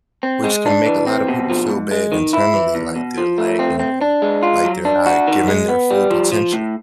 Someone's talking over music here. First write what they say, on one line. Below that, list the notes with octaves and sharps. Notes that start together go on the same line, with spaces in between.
which can make a lotta people feel bad internally, like they're lacking or like, they're not giving their full potential.
C4
G#3
D4
E3
C4
B2
F3
G#2
G#3
D#3
E4
E3
E2
B2
F3
A3
C4
C4
D4
G#3
F4
F#3
D4
F#4
D#3
G#3
B3
G3
F3
F3
A2